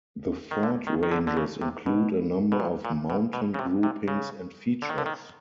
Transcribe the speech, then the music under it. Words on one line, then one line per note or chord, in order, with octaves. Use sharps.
The Ford Ranges include a number of mountain groupings and features.
D#3
D3
D#3
D#3
D3
D3
C#3
C3
B2
B2
A#2
A#2
B2
B2
C#3
C3
C3
C#3
D3
D#3
D3
D#3